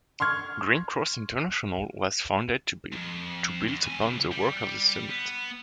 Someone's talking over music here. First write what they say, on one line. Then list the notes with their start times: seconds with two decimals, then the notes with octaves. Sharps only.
Green Cross International was founded to build upon the work of the Summit.
0.20 C6 C#6 F6 G#6
2.92 F2 G#2
3.68 E2
3.87 C4 G#5
4.01 C#3 E3
4.32 G3
5.09 B3